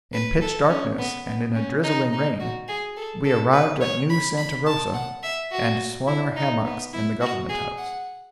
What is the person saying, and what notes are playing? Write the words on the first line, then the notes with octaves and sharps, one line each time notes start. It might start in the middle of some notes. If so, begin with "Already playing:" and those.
In pitch darkness and in a drizzling rain we arrived at New Santa Rosa, and swung our hammocks in the Government House.
B4
A4
C#4
B3
B3
C#4
D#4
D#4
F#4
G#4
A4
A4
B4
C#5
B5
B5
A5
F#5
E5
F#4
E4
D#4
B3
E4
F#4
G#4
F#5